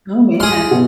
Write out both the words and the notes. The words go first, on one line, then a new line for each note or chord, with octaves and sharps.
Oh man.
G#4 C6 F6
B2 F#4